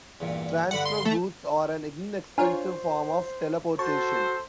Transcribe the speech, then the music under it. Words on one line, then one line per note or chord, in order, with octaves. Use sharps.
Transfer booths are an inexpensive form of teleportation.
E2 G2 A#2
G2 D3 F#5 B5
C6
A3
D4 F4 C5 C#5 G#5 A#5 F6
F#4 A4 C5 A5 C#6